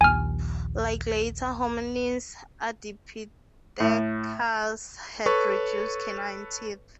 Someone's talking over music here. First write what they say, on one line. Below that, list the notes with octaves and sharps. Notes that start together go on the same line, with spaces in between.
Like later hominins, "Ardipithecus" had reduced canine teeth.
A#1 D#2 G#5 F6
A2
A4 B4 C#5 C#6